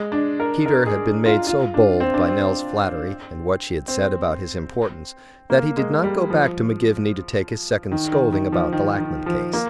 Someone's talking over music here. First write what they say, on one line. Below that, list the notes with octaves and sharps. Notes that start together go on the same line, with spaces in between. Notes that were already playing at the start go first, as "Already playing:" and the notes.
Peter had been made so bold by Nell's flattery and what she had said about his importance, that he did not go back to McGivney to take his second scolding about the Lackman case.
Already playing: G#3
D4
A#4
A#4
G#4
F4
F4
D4
C4
D4
C4
C4
A#3
G#3
G3
F3
D#3
D#3
D#3
F3
D#3
D#3
F3
A#3